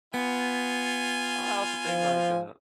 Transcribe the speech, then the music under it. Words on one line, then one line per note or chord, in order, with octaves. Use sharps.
I also think, like, uh,
B3 F4 G#5
F3